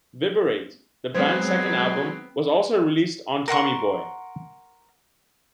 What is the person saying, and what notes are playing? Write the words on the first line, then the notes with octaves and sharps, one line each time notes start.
"Viberate", the band's second album, was also released on Tommy Boy.
F#3 G#3 B3 C4 C5 G#6
A#4 F#5 C6 C#6